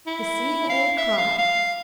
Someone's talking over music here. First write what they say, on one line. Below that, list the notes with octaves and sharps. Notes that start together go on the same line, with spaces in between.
The same old cry.
E4
F5
E5
F5
F5